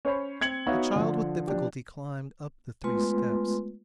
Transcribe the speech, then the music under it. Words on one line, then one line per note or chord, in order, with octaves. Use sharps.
The child with difficulty climbed up the three steps.
C#4 C5 C#5 B5
C4 G#6 C#7 F#7
B3 D#4 F#4 C#5 E5 F5
D3 F3
F3 D4 G4
G#3 A3 B3 F4 B4 C6